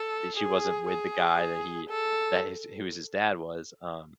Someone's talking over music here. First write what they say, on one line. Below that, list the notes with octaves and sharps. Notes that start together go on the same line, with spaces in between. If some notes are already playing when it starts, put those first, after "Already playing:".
she wasn't with the guy that he that his who was his dad was, um,
Already playing: A4
G#4
G#4
A4